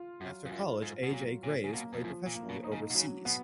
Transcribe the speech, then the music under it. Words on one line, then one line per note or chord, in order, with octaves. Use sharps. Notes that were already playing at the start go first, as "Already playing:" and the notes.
After college A. J. Graves played professionally overseas.
Already playing: F4
F#2 F#3
F2
F#2 F4
G#2 F4
B2
A#2 F#3
A#2 C#4
C#3
B2 A#3
F2
F#2 F3
A#2
A#3
B2
D#4
C#3
B2
C#3 F#3
B2 B3